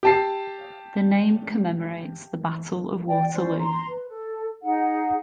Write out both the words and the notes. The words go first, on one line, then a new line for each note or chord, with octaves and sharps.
The name commemorates the Battle of Waterloo.
G4 A5 C7
D5 G5
C#4 E4 C5 D5
A#5 C6
B4
A4
D#4 G#4 F#5